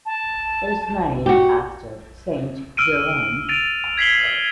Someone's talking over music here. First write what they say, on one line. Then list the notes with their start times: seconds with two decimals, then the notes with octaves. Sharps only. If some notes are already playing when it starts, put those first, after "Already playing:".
It is named after Saint Jerome.
0.06 A5
1.26 F#4 G4
2.77 E6 F6 D7 D#7
3.49 A6 D7 D#7 F7
3.97 G#6 B6 C7 F#7 G7